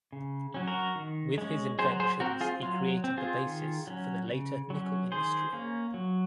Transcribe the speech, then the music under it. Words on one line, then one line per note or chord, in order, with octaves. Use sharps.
With his inventions he created the basis for the later nickel industry.
C#3
F#3 C#4
F#4 A#4
D#3
G#3 C#4
F#3 G#4 C5
G#4 C5
C4 F#4 A#4
F4 G#4
F#3 F4
C4
F4 G#4
D#3
F#3 C#4
C#3
F#3 C#4
D#3 G#4 C5
A#3 C#4
F#3